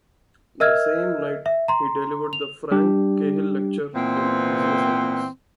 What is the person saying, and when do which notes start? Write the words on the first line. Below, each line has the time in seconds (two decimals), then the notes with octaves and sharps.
The same night, he delivered the Frank Cahill Lecture in Business Ethics.
0.60 A#4 D#5 E5 E6 F6 G#6
1.46 E5
1.68 A#5 C6
2.33 F7
2.71 G3 D4 G4
3.94 A#2 E3 B3 C4